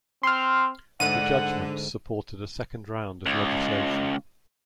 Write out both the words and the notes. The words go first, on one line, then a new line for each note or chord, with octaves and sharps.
The judgments supported a second round of legislation.
C4 C6 F6
D2 G#2 D3 F#5 D#7
C#2